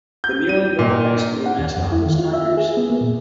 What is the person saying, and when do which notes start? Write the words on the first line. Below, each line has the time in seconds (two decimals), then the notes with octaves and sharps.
The Mullinville High School mascot was Tigers.
0.24 G6
0.49 D#7
0.79 A#2
1.46 F#5
1.59 D#2
1.77 F2
1.92 E4
2.06 D#3
2.18 F4
2.34 E5
2.57 G#4
2.77 B3
2.90 A#3
3.01 A#2